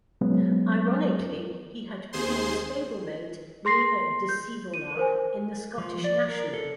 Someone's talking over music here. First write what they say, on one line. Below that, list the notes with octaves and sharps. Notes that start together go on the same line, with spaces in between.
Ironically, he had been on stablemate, Nine De Sivola in the Scottish National.
F#3 G#3 B3 C#4
D#2 G#4 C5 C6
G#4 C6 A#6 C7
G6
D#7
A#4 C5 G#5
F3
D5
A#4
A4